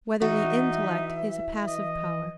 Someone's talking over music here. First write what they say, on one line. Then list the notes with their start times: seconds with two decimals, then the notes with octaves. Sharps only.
Whether the Intellect Is a Passive Power?
0.22 E3 D#4 F#4 E5
1.68 D#5